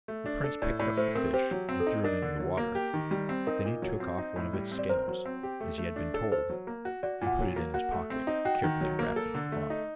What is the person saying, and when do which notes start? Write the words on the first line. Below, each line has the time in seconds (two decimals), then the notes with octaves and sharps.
The prince picked up the fish and threw it into the water; then he took off one of its scales, as he had been told, and put it in his pocket, carefully wrapped in a cloth.
0.08 A3
0.26 D4
0.44 A4
0.62 A2 D5
0.79 A2 D5
0.97 A3 C5
1.15 C4 A#4
1.33 G4 C5
1.51 F#3
1.69 C4
1.80 A4
1.87 D#4
2.04 D4 A#4
2.22 D3
2.40 F#3
2.57 A#3
2.75 G4
2.94 D#3
3.11 G3
3.29 C4
3.47 D#4 A#4
3.65 A#2
3.82 F#3
4.00 C4
4.18 D#4
4.36 A2
4.53 G3
4.72 C4
4.79 D5
4.89 A#4 C5
5.08 F#3
5.26 C4
5.43 G4
5.61 A3
5.78 A3
5.96 D4
6.14 A4
6.32 A4 C5
6.50 F#3
6.67 A#3
6.85 F#4
7.03 F#4 D5
7.21 A#2
7.27 F#5
7.39 F#3
7.56 A#3
7.74 F#4 F#5
7.92 A3
8.10 C4
8.27 D#4
8.45 F#4 G5
8.63 D#3
8.81 F#3
8.99 A#3
9.16 A4
9.35 D3
9.52 A3
9.70 D#4